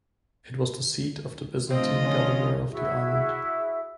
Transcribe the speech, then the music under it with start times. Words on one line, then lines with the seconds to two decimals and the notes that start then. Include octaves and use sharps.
It was the seat of the Byzantine governor of the island.
1.70 D3 F3 A3 C4 F4 D#5
2.04 C#4
2.70 E4 F#4 G#4 E5